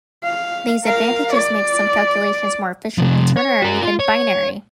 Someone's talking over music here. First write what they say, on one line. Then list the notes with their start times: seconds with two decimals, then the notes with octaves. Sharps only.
These advantages make some calculations more efficient in ternary than binary.
0.24 F5
0.84 A#4 F5
1.32 D5
2.98 C3 F3
3.37 C#5
3.62 F#4 A#4
3.82 F4
4.00 C#5